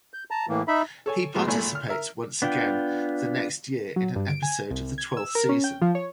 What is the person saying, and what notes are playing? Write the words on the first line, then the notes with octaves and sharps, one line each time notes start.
He participates once again the next year in an episode of the twelfth season.
G6
A5 A#5
A2 E3 A#3
D#4 E5 B5
A4 C#5 G#5
A2 G#3 B3 F4
G#1 A#2 A3 G#5
F6
A#4 E5
B3 D4 F4 G5
F#3
G2
D7
G#5
C2
G#6
E6
A#4
C#4
G5
F3
C#5